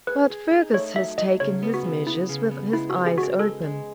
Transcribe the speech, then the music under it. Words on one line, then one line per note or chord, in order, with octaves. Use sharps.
But Fergus has taken his measures with his eyes open.
G#4 B4
G#4
D#4
A3 C#5
F#3 E5
F#3 D#5
C#3 C#5
B3
F#4
C#3
B3 E4
C#3
B3
G#3 E4
F#4
C#4
G#4
G#3 F#4
G#4
G#3 A4
G#3